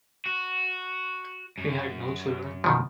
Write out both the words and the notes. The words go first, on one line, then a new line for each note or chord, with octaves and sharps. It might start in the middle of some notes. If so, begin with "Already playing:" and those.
He had no children.
F#4
F#2
B2 D#3 F3